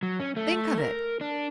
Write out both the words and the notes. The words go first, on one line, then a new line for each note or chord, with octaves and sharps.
Think of it.
F#3
C#4
A3
A#4
D4